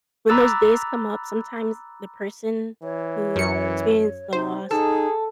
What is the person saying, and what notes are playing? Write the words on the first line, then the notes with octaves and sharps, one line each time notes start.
When those days come up, sometimes the person who experienced the loss,
A#5 B5 D6 E6 F#6 A6
E3 C#5
F#2 C#7
C3 D#4 C5
D#4 G#4 A4